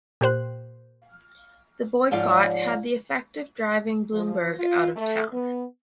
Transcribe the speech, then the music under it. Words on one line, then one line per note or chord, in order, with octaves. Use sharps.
The boycott had the effect of driving Blumberg out of town.
A#2 G4 C5 F#6
G#2 F3 C#5 D5 F5
F3
F4
A3
B3